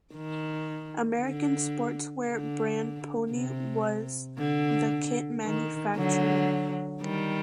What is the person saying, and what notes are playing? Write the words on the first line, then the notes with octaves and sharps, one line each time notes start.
American sportswear brand Pony was the kit manufacturer.
D#3
D3
D3
C3
D3
D#3
D3 F#3
D#3 G3